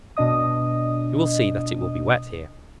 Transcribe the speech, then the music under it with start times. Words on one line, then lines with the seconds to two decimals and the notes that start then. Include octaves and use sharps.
You will see that it will be wet here!
0.16 B2 D4 D#5 D#6